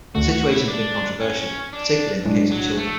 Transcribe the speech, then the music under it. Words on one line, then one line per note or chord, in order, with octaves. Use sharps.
The situation has been controversial, particularly in the case of children.
D2 D3 A3 F#4
F#4
E4
D4
C#4
D4
B1 A2 G#3 D4
F#3
A3